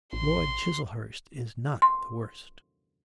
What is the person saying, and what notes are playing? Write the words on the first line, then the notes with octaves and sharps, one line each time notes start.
Lord Chiselhurst is not the worst.'
A1 C6
C6